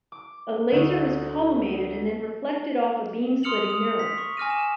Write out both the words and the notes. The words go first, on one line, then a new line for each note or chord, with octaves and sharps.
A laser is collimated and then reflected off of a beam-splitting mirror.
D6
D2
C6 D#6 F6 C#7 F7 F#7
D#6
B6
C#6
G#5 D6 F6 A#6 D#7
E7